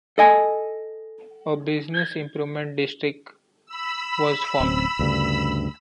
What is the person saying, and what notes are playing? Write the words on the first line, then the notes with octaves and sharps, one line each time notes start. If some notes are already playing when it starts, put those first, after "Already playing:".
A business improvement district was formed.
A4 D#5 G#5
B5 E6
D1 C4 C#4
D2 G2 C#3